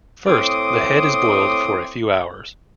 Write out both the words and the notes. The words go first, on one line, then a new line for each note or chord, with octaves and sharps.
First, the head is boiled for a few hours.
A2 C4 C6 D6 D#6